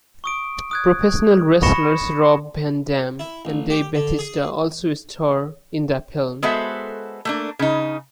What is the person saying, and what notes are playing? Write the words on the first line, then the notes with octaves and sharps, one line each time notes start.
Professional wrestlers Rob Van Dam and Dave Batista also star in that film.
C#6 D#6 D7
D#6 F#6 G#6
B5 C#6 A#6 C#7 E7
E4
A1
G4
D3
G#4
G#3 B3 F#4 A4 C5 E5
A3 A#3 D4
C#3 D#4